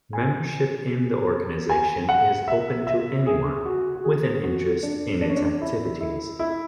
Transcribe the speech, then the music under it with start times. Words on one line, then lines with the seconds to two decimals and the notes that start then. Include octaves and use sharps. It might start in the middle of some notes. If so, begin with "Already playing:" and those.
Membership in the organization is open to anyone with an interest in its activities.
0.13 G#5
1.70 G#5
2.09 F#5
2.48 E5
2.87 E5
3.26 G#4
3.65 F#4
3.96 F#4
4.04 G#4
4.43 F#4
4.83 D4
5.21 D4
5.30 C#4
5.36 D4
5.61 E4
6.01 E4
6.39 E4